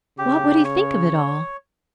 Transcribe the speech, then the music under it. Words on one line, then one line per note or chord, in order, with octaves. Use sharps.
What would he think of it all!
C#3 G4
C#5